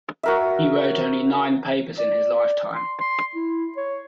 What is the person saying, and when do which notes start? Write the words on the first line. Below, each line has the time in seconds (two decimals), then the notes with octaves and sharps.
He wrote only nine papers in his lifetime.
0.23 F#4 A#4 E5
1.98 D5
2.75 C6
3.00 C6
3.35 E4
3.77 C#5